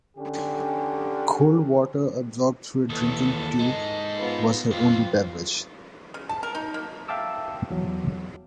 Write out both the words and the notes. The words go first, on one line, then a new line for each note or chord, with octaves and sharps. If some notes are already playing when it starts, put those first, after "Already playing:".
Cold water, absorbed through a drinking tube, was her only beverage.
D3 C#4 G4
D#2 E3 A4
G#3 D#4
B3 F4
F2 C4 F4
C#3
A5
A#4
D#4
A#3
E5 F5 G5 A5 D6 E6
E2 F#3